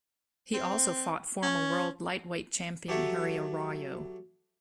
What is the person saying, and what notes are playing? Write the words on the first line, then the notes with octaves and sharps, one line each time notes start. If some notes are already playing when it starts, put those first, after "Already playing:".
He also fought former World Lightweight Champion Harry Arroyo.
C4
C#4
F#3 G4 A4 C#5 E5 F#5